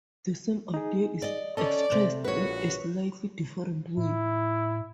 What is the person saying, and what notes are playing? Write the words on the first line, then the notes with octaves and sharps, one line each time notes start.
The same idea is expressed in a slightly different way.
D#4 G#4
D5 D#5
C#4 A4 D5 D#5
C3
A#1 F#4 B4 C#5
A2 E4